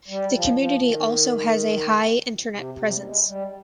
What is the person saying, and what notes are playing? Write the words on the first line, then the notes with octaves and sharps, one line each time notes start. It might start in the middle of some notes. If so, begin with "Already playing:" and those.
The community also has a high Internet presence.
G3
F3
F3
D#3
C3
C3
G3
G#3
G3